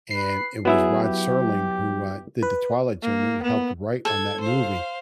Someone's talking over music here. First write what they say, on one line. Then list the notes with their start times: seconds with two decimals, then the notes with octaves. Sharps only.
and it was Rod Serling, who, uh, did The Twilight Zone, who helped write on that movie,
0.11 B4 C7
0.65 F#3 B3 E4 G#4 E5
1.03 G4
2.43 B4
3.02 A#3
3.43 B3
4.05 A4 G#6
4.41 C5 F5